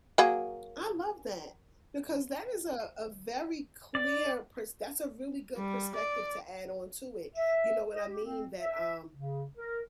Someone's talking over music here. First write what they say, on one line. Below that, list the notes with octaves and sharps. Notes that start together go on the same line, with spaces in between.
I love that because that is a a very clear pers that's a really good perspective to add on to it, you know what I mean, that, um
F#3 A#3 G#4
D5
G3
D5
E5
D#5
G4
C4
E5
C#3
A#4